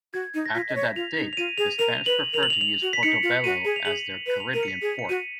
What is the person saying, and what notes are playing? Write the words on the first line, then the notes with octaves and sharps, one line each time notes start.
After that date the Spanish preferred to use Portobelo as their Caribbean port.
F#4 G#6
D#4
A#6
F4 B6
D#5
C#5
F4 F7
D#4 F7
F7
F4 D#7
G#4 F7
A#4 F7
B4 F#7
A#4 F7
F#7
F7
F7
F#4
B6
D#4 C#7
F4
F#4 D#7
G#4
F7
G#4 F#7
B4 D#7
F7
A#4 D#7
C#7
B6
G#4
C#7
F#4 D#7